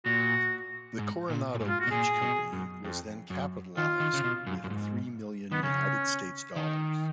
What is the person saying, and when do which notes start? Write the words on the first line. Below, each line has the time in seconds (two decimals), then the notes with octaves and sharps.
The Coronado Beach Company was then capitalized with three million United States dollars.
0.05 A#2 F#4
0.99 G#2
1.30 A#2
1.54 A#2
1.60 G#2
1.69 F4
1.80 F#4
1.87 B2
1.91 A#2 G#4
2.22 B2
2.53 F#2
2.84 F2
3.30 F#2
3.77 D#3 F4
4.00 D#3
4.14 C#3
4.24 B2
4.47 F#2
4.64 F#2
4.70 G#2
5.52 D#3 B3
5.63 C#3 C#4
6.56 D#3